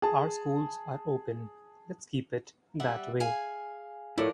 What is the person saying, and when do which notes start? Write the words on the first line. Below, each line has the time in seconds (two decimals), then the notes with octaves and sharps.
Our schools are open. Let’s keep it that way.
0.02 G#4 A5
2.80 G3 E5 F#5
3.20 G#4 F5 G#5
4.18 F3 D4 E4 A4 A#4 C#5